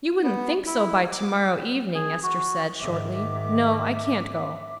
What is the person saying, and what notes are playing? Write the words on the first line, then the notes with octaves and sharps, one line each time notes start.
"You wouldn't think so by to-morrow evening," Ester said, shortly. "No, I can't go."
B3
E4
D6
G#4
F#4
G#2 D#3 E5 D6